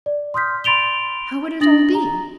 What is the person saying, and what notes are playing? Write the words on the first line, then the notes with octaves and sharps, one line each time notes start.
How would it all be?
D5
C6 D#6 F6 G6 B6
B5 C6 A6 D7 F7 G7
D4 D#6 A6 A#6 F#7
A#5